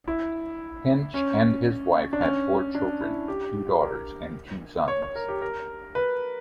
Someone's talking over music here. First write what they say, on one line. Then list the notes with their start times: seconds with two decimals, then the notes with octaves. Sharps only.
Hench and his wife had four children, two daughters and two sons.
0.08 E4
1.14 C#4
2.13 D4
2.21 C#4
2.75 D4
3.01 E4
3.28 G4
3.81 A#4
4.88 C#5
5.02 C#5
5.15 A#4
5.28 G4
5.41 A#4
5.95 B4